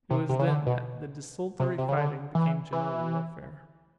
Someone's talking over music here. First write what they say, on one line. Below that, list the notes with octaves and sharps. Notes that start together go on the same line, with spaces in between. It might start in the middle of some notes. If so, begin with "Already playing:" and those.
It was then that desultory fighting became general warfare.
C3
C3
C#3
D3
B2
C3
C3
C#3
D3
E3
E3